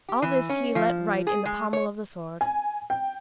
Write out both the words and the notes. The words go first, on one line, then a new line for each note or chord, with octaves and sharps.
All this he let write in the pommel of the sword.
G4
E3
C#4
F3
G#4
G#3
C#5
G#5
G5